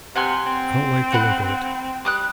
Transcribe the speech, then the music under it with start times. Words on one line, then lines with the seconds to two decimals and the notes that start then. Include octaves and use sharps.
I don't like the look of it.
0.16 C3 F#5 G#5 C6
0.46 C4
1.13 F#5 B5 F#6
2.05 G3 D6 D#6 F#6